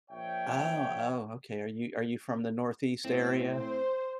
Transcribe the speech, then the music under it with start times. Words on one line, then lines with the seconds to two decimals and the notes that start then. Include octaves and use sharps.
Oh, oh, okay. Are you are you from the Northeast area?
0.11 A#1 C#5 E5 G5
3.05 A2 C4
3.54 C5